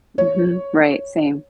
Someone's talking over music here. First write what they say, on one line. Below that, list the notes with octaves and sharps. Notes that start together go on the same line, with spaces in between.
Mhm. Right. Same.
C#5